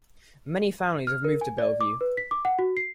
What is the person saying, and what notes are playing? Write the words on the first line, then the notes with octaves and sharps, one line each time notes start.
Mainly families have moved to Bellevue.
F6
A#4
G#5
D5
D6
B4
B6
D6
F#5
F#4
C7